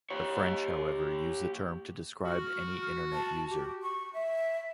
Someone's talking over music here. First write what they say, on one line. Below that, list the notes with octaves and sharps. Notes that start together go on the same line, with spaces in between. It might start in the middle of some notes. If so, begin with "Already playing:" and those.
The French, however, use the term to describe any Internet user.
G4 C#5
F#4 F6
A5
G4
C#6
E5